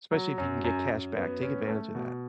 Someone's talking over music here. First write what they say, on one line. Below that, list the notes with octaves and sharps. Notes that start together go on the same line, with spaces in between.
especially if you can get cash back, take advantage of that.
F#3
F#2
F#2
F#2
B3
C#4
A3
B2